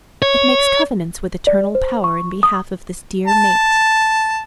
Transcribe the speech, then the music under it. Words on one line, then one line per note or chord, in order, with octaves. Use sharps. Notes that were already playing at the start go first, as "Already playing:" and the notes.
It makes covenants with Eternal Power in behalf of this dear mate.
C#5
D5
C5
C#6
D#6
A5